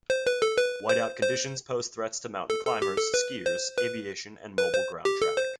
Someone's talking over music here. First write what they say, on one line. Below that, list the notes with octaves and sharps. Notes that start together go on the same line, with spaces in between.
Whiteout conditions pose threats to mountain climbers, skiers, aviation, and mobile ground traffic.
C5
B4
A4
B4
C5
C5
A4
A4
G4
A4
B4
C5
B4
B4
C5
G4
A4
C5